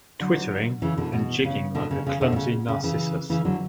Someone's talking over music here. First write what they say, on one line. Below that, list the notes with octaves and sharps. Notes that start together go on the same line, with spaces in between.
Twittering, and jigging like a clumsy Narcissus.
D3 F#3
C#3 E3
B2 D3
B2
C#3
B2 D3
C#3
C#3
B2 D3
B2
C#3
C#3
C#3 E3
C#3 E3
D3 F#3